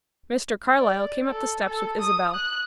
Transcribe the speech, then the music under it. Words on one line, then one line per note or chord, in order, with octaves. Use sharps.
Mr. Carlyle came up the steps with Isabel.
D5
A4
A4
D#6
F#6